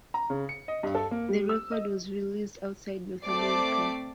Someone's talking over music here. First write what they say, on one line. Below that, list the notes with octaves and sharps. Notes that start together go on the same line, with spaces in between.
The record was released outside North America.
A#5
C#3
C#7
D#5
G2
A4
A#3
G3
E6
D#5
A3 C4 D5 D6 C7